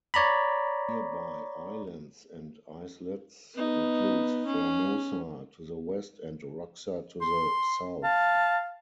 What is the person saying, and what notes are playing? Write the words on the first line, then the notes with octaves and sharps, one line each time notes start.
Nearby islands and islets includes Formosa to the west and Roxa to the south.
C#5 D5 A#5 B5
B3 D#4
C#4
C6
F5 A5